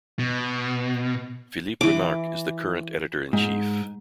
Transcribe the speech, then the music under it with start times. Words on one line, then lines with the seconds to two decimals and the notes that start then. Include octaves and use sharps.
Philippe Remarque is the current editor-in-chief.
0.19 B2
1.81 E3 D6
3.33 G#2